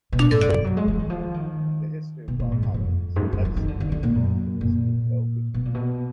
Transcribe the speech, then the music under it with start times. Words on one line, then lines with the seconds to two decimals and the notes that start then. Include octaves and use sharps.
The history of Walhalla is closely linked to the history of gold in Victoria.
0.12 B2
0.23 A#2
0.32 G#2
0.41 F#2
0.53 F3
0.64 F#3
0.77 G#3
0.88 F3
0.99 D#3
1.10 F3
1.34 D#3
2.28 B2
2.40 A#2
2.52 G#2
2.63 F#2
2.74 F2
3.16 G#2
3.22 F#2
3.33 F#2
3.45 F3
3.57 D#3
3.68 D3
3.80 D#3
3.92 D3
4.03 A#2
4.15 F#2
4.61 A#2
5.54 B2
5.65 A#2
5.74 B2